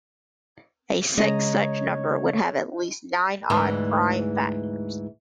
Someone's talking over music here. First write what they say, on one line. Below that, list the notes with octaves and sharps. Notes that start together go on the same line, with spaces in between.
A sixth such number would have at least nine odd prime factors.
C#3 G#3 C#5 D#5 A#5
D2 G#2 E3